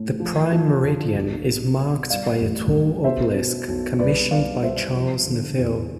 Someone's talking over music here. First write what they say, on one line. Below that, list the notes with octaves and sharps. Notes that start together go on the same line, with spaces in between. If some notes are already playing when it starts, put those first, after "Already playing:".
The Prime Meridian is marked by a tall obelisk, commissioned by Charles Neville.
Already playing: A2
F3
F3
D3
B1
B2
B2
G2 D5 F5
A1
G2
B2 C5 E5
B2
B1
C2 B4 D5
B2 D5 F5
B2 C5 E5
F3
D3
E2